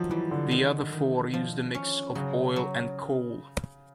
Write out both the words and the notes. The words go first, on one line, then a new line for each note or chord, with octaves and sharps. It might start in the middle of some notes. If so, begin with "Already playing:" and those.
The other four used a mix of oil and coal.
Already playing: D#3 F3 F#3
E3 G3
D3
D#3
D#3
F3
C#4
C#3 F#3
F#3